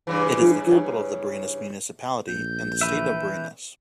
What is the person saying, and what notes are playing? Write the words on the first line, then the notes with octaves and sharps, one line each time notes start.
It is the capital of the Barinas Municipality and the State of Barinas.
G2 C#3 E3
A#1 G6
E3 B4 E5